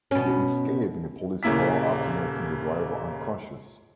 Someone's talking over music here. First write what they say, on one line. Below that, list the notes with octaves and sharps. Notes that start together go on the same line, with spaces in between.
They escape in a police car after knocking the driver unconscious.
B2 C#4
D#1 C#3 A#3 E4 B6